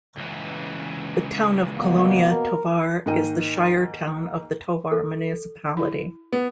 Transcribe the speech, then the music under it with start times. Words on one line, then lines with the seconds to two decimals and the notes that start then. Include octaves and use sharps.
The town of Colonia Tovar is the shire town of the Tovar Municipality.
0.17 C#2 E3
1.75 B2 A#3 B3
2.31 A#4
3.06 G#2 D#3 A#3 D#5 G5 D#7
4.92 A4
5.77 E4
6.33 B3